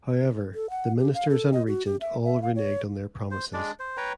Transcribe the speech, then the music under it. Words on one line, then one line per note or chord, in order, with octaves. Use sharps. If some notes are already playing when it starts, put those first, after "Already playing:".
However the ministers and regent all reneged on their promises.
A4
F#5
G4
F5
A4
D#5
F#4
G4
E5
E5
F5
C#5
C5
G#3 D4 D5
C5
B4 C#5 G5 A#5